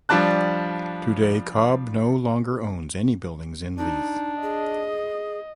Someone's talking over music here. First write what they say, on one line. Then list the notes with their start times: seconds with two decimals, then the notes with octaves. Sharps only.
Today, Cobb no longer owns any buildings in Leith.
0.09 F3 G3 D4 A5 F#6
3.78 D4 D#4
4.42 G#4 D#5